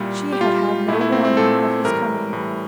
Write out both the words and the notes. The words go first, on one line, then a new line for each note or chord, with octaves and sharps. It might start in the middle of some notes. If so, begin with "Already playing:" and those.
She had had no warning of his coming.
Already playing: A#2 G3 E4
G4
A#2 G3 F4
A#2 A3 E4
E4
C4
C4
A#2 A3 A4
A2 E3 G3 A#4
A2 E3 G3